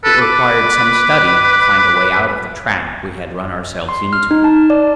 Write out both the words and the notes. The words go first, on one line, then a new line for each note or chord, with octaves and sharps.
It required some study to find a way out of the trap we had run ourselves into.
A4 B4
D6
C6
F6
D#4
A5
D5